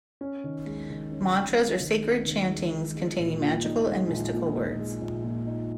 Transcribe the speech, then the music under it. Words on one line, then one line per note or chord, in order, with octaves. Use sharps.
Mantras are sacred chantings containing magical and mystical words.
C#4
D#3
G#3
D#3
C#4
D#3
G#3
D#3
C#4
D#3
G#3
D#3
G#3
A#1
A#2
D#4
G#3
A#1
A#2
D#4
G#3
A#1
A#2
D#4